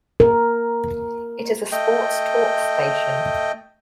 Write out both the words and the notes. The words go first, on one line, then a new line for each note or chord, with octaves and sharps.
It is a sports talk station.
A#4
A3 D#5 G5